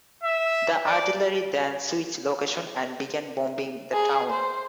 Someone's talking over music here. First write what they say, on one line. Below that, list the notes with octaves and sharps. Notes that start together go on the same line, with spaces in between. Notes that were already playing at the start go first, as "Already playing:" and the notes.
The artillery then switched location and began bombing the town.
E5
D5
G#4
C5